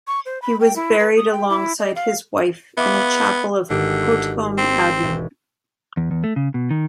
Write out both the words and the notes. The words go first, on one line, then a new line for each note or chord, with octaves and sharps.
He was buried alongside his wife in a chapel of Hautecombe Abbey.
C#6
C5
B5
G5
E4
B4
D#6
G5
E4
D#5
F5
B3 E5 F5 D6
G#1 D3 G4
C4
E1
E2
E2
A3
C#3
B2
D#3